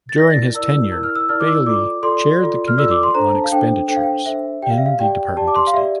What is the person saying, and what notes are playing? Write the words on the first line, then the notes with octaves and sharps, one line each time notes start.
During his tenure Bailey chaired the Committee on Expenditures in the Department of State.
A6
E4 A#4 D5 A#6
A6
E4 A#4 D5 E6
E4 A#4 D5 E6
F6
E6
E4 A#4 D5 F6
D6
E6
F4 A4 D5 D6
F4 A4 D5 C6
F4 A4 D5
F6
F4 A4 D5 E6
D6
C6
D4 A4 C5 A#5
A5
F5
D4 A4 C5 G5
D4 A4 C5 G5
F5
G5
D4 A4 C5 E5
G4 D5 F5 G5
E5
F5
G4 D5 G5
G4 D5 A5
D6
C6
F5
G4 D5 E5